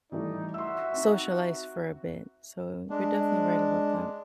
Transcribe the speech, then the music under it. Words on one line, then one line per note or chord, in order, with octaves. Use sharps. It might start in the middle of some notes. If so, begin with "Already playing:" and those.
socialize for a bit." So, you're definitely right about that.
E3 G3 A3 D#4 D5
F#4 E5 C6 E6
C4 D#4
E5
G#3 D4